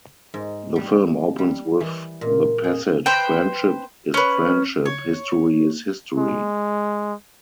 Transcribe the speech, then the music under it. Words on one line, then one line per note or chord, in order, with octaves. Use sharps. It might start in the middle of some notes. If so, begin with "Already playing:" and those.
The film opens with the passage Friendship is friendship; history is history.
G#2
G3
G3
E3
A#2
G#4
B4 C5 G5
C#4 B4
C#5
G#3